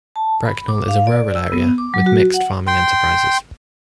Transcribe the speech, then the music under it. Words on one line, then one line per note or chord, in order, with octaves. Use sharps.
Bracknell is a rural area with mixed farming enterprises.
A5
B5
D6
F5
D5
E6
B3
D6
F#3
F#4
F#5
G5 C6